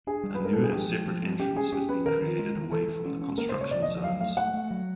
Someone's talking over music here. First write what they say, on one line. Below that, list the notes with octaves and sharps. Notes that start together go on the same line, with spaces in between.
A new and separate entrance is being created away from the Construction zones.
D4 G#4
G3
B4
G3 A#4
D4 A4
G#4
F3 G4
F3
F3
C4
C#4 G4
C#4 G#4
C#4 G4
C#4 B4
D#3 A#4
D#3
G#3
D#3
E3 A4
E3
C#4
C#4
A#3 A#4
C5
C#3
C#5
C#3 D5
D#5
F3
F#3 F5
A3 F5
A3 F#5
A3
F#3